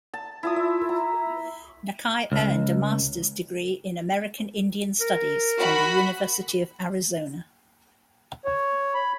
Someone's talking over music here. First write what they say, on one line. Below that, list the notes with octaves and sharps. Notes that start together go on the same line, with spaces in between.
Nakai earned a master's degree in American Indian studies from the University of Arizona.
A5
E4 F4 A5 D#6
E5
A#5
C#2
A#4
F#4 B5
C#5
B5